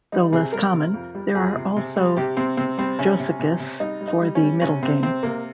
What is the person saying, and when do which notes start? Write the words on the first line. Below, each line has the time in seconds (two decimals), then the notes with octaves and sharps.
Though less common, there are also "josekis" for the middle game.
0.12 G3 D#4
0.33 C3 G#4
0.53 G3 A#4
0.73 C3
0.94 F2
1.15 G3
1.35 F2 G#4
1.56 C3
1.76 C3
1.96 G3
2.17 C3 G4
2.37 C3 C4
2.57 C3 C4
2.78 G3 C4
2.99 C3 C#4
3.20 C3
3.39 C3
3.60 C3
3.80 G3 D#4
4.01 G3
4.08 D#4
4.22 G3
4.35 C#4
4.42 G3
4.61 C3 C#4
4.82 C3 C4
5.02 C3 C4
5.23 C3 A#3